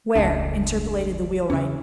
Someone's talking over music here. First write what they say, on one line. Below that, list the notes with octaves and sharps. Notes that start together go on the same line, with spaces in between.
"Where?" interpolated the wheelwright.
E1 C#2 D4 G#4 A5
E2 C#3 C#4 E4